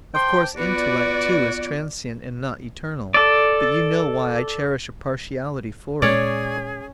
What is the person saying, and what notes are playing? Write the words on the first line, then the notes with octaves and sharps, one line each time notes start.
Of course, intellect, too, is transient and not eternal, but you know why I cherish a partiality for it.
C5 G5 A5 C6 D6
B3 F4 F#4 B4 D5 B5
A4 D5
A#2 G#3 C#4 G#4 C#5 D5